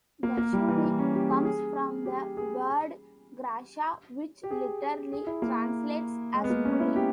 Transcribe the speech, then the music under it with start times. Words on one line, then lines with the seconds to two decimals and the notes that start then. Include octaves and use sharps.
"Garshuni" comes from the word "grasha" which literally translates as "pulling".
0.23 A#3
0.37 A#3
0.53 G3
0.68 E3
0.84 E3
0.99 C#4
1.15 G4
1.30 G#4
1.45 G#4
2.06 G4
2.37 G#4
4.44 G4
4.51 G#4
5.13 G#4
5.27 E4
5.42 A#3
6.34 G#3
6.44 B3
6.50 A#3
6.65 C#4
6.80 E4
6.96 G4